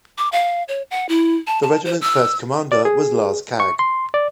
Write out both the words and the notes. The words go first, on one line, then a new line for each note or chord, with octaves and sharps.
The regiment's first commander was Lars Kagg.
D6
F5
C#5
F#5
E4
A5
A5
C5
E6
D5
G#4
C#6
C6
D5